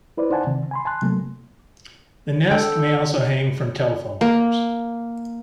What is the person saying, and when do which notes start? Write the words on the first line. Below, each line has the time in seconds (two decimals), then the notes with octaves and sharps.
The nest may also hang from telephone wires.
0.17 E4 B4 C5 D5
0.30 D#4 C5 D5 F#5 G#5 A5
0.47 C3 D#3
0.71 G#5 B5 C6
0.85 G#5 A5 C6 F#6
1.02 C3 F#3 A3 A#3
2.51 D3 A4 G5
4.21 A#3